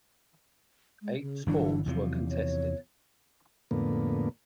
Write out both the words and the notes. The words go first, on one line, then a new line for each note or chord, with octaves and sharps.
Eight sports were contested.
G#3
C#3
G1 E3 F#3 D4
E2 C3 F3 F#3
C#5
F2 A2 D3 A#3 B3